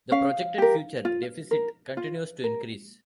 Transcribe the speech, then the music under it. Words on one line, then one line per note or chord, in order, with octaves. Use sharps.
The projected future deficit continues to increase.
C#4 F5
G4 A#4
F4
A#4
F4
A#4